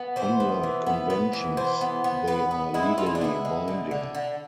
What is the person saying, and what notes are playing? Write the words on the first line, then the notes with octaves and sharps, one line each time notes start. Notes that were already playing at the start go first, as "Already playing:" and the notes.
Unlike conventions, they are legally binding.
Already playing: B3
E3 C5
B3
E3
B3
B3
E3
E3 C5
B3
B3
B3 B4
B3
G#3 E4
G#3 F4
E4
D4
B3 E4
G#3
D3
D3
D3